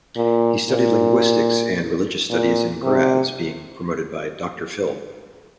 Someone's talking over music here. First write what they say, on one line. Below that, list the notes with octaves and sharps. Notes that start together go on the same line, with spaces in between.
He studied linguistics and religious studies in Graz, being promoted Doctor phil.
A#2
A#2
A#2
C3